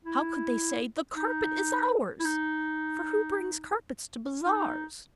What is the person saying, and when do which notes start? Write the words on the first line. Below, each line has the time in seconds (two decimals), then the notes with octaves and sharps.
How could they say, 'The carpet is ours!' For who brings carpets to bazaars?
0.05 E4
1.15 D#4
2.20 E4
2.25 D#4
4.46 D#4